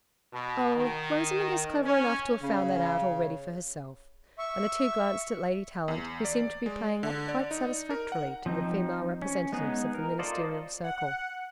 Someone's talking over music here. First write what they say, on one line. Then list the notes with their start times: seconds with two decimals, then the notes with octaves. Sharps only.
'Oh, Rosamond is clever enough to have found that out already for herself;' and the two glanced at Lady Tallant, who seemed to be playing up quite satisfactorily to the female representatives of the Ministerial circle.
0.32 B2
0.76 D#3
1.83 C#4
2.42 C#3
4.38 E5 C#6
5.88 E2
6.25 D5
6.66 G#3
7.03 D3
7.29 D5
7.51 D#4
7.90 A#4
8.12 F#5
8.46 F3 C4 D#4
9.22 C#4
9.52 G#3 B3 D#4 G#4
9.95 A#4
10.19 F4 A4 C5 D5 D#5
10.83 F#5